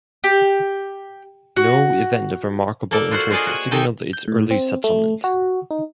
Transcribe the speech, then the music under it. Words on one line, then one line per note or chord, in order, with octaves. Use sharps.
No event of remarkable interest signaled its early settlement.
G4
F#4
A#3 A4 D5
F4 F#4 C5
F4 F#4 G#4 D5 D#5
F#4 G#5
C3 D#3 D#4 A4 G5 G#5
G6
A2
C4
A3
F#4
D#4